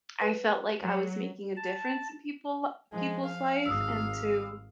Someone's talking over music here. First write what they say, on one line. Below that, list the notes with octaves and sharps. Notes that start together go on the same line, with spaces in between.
I felt like I was making a difference in people people's life, and to
B4
F#3
A5
F3 G#3
F5
G#1 D#6 E6